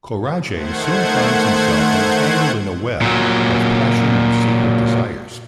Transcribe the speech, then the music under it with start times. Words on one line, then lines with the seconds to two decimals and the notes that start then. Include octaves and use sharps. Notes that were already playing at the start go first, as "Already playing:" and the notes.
Coraje soon finds himself entangled in a web of passion and secret desires.
0.52 D#3 A3 C5 F#5 G#6
3.02 A#2 F#3